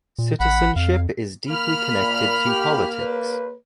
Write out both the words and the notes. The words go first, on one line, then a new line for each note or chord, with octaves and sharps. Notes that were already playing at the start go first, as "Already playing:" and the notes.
Citizenship is deeply connected to politics.
A#2
A1 F#5 B5
F2 F5
A#3 B5 F6
A#2
G4
B4